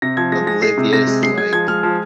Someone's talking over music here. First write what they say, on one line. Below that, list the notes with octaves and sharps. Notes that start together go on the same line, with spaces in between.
oblivious, like
C3 A#6
F3 G#6
G#3 A#6
G#3 A#6
G#3 C7
C3
C3 A#6
G#3
G#3 C7
G#3 G#6
F3 G#6
G#3 F6
F3